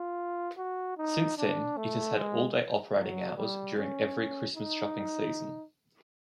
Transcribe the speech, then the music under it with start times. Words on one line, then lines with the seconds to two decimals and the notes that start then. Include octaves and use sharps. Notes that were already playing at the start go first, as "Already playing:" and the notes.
Since then, it has had all-day operating hours during every Christmas shopping season.
Already playing: F4
0.58 F#4
0.97 D#4
1.38 D4
1.77 A3
2.17 G#3
2.97 F#3
3.37 G3
3.77 C#4
4.56 D#4